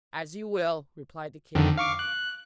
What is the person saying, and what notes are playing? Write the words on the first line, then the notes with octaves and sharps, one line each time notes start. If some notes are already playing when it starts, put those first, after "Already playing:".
'As you will,' replied the king.
F2 D3 D#3
F5 C#6 D6
F#6